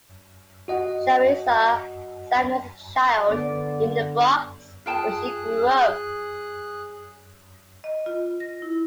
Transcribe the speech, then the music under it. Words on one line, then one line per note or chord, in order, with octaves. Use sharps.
Sharissa sang as a child in The Bronx where she grew up.
F#4 D#5 F#5
D3 B3 D5
F4 G#4 G5 A5 F#6
D#5
F4
A#6
E4